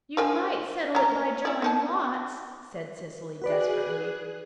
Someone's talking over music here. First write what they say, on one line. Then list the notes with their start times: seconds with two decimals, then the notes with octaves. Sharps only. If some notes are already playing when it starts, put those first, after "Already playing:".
"You might settle it by drawing lots," said Cecily desperately.
0.17 F3 A#4 G#5
0.95 C#4 A#5
1.45 E4 D5
1.62 A#3 D#4 A5
3.42 F#4 G#4 B4 D5 F#6